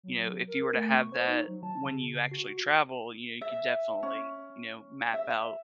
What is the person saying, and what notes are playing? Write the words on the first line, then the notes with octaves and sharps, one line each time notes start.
you know, if you were to have that when you actually travel, you know, you could definitely you know, map out
F#3
A#4
A3
C#6
C5
D#4
F#3
A5
C#3
C7
F#4
E5
C#4
E5